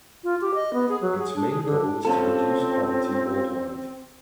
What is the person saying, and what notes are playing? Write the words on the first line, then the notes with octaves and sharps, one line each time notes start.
Its main goal is to reduce poverty worldwide.
F4
G4
D#5
B3
G#4
F#3
G#4
D4
G#4
D3
D4
C4 C#4 F4 A4